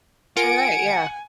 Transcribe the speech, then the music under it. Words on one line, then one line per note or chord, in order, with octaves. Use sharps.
Alright, yeah.
F4 A#4 F#5 G#5 D7